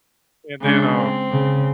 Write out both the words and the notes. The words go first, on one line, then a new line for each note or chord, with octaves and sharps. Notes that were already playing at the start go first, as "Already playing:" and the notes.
and then, um
C#3 G#3 D4
C4
C#3